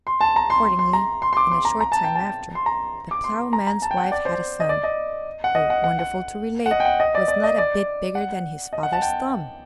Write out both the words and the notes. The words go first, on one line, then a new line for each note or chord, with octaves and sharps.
Accordingly, in a short time after, the plowman's wife had a son, who, wonderful to relate, was not a bit bigger than his father's thumb!
C6
A5
A#5
C6
C6
C6
A#5
C6
C6
D6
C6
A#5
A#5
A5
G5
A5
C6
A#5
D6
C6
A#5
A#5
A5
G5
F#5
D5
C5
D#5
D5
D#5
F#5
D#5
F#5
F#5
F#5
F#5
D#5
G5
F#5
D#5
D5
D5
D#5
D5
F#5
D#5
F#5
A5
G5